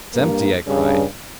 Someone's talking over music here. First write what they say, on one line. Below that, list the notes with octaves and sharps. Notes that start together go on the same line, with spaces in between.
"It's empty," I cried.
G2 A#3
G2 C#3